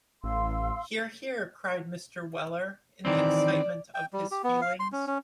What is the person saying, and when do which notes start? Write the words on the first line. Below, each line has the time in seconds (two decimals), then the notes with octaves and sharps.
Hear, hear!’ cried Mr. Weller, in the excitement of his feelings.
0.24 A1 F5 C6 E6
3.05 D#3 E3 C4 D5
3.94 G5
4.13 G3
4.31 G4
4.44 B3
4.61 F5
4.80 C6
4.92 C#4
5.07 C#4